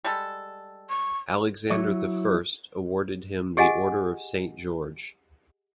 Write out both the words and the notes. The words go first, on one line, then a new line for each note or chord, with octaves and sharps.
Alexander the First awarded him the Order of Saint George.
G3 G#3 A4
C#6
F#3 E4 C#5
G4 G#4 D#5 F#5 G#5